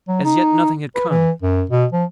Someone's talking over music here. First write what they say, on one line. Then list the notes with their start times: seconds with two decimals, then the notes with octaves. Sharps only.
As yet, nothing had come.
0.08 F#3
0.24 D#4
0.95 B4
1.09 E3
1.42 F#2
1.70 B2
1.92 F3